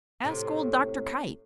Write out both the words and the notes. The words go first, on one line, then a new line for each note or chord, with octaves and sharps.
Ask old Dr. Kite.
A2 C3